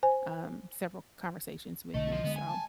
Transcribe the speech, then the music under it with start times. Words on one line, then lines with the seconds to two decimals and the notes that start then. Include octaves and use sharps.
um, several conversations with you. So,
0.03 C5 G#5
1.94 B1 D3 A3 D#5
2.12 F3
2.24 D3 G#3 B3
2.36 G#5
2.48 A5